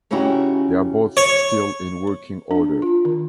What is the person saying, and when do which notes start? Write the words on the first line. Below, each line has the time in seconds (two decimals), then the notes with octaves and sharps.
They are both still in working order.
0.11 C#3 C#4 D#4 E4 F#4 G4
1.17 C#5
2.51 D4
2.82 F4
3.05 D#3